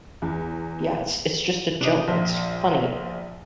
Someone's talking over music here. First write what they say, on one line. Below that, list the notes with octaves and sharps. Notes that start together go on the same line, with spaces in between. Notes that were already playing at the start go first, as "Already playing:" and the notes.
Yeah, it's it's just a joke; it's funny,
E2
C3 D4 D#4 D#5
A#1 C5 E5